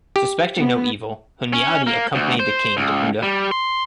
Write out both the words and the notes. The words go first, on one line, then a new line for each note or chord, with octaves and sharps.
Suspecting no evil, Hunyadi accompanied the king to Buda.
G4
B3
C#4
A#3
D2
C5
C#2
G3
C6